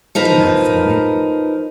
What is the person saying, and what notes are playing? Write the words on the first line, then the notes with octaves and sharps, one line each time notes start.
Do that for me.
F3 D#4 A#4 B4